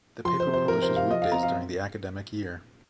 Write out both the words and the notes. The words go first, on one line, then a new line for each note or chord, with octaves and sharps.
The paper publishes weekdays during the academic year.
F3 C6
C5
C3
C5
F3 A#4
C5
C3
F5
F3 D#5
F5
C4 A#5
F5